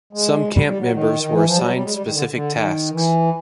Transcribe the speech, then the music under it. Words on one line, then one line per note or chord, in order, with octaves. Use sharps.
Some camp members were assigned specific tasks.
G#3
G3
G3
F#3
D#3
D#3
E3
F3
G3
F#3
G3
G#3
G3
D#3
D3
D3
D#3
E3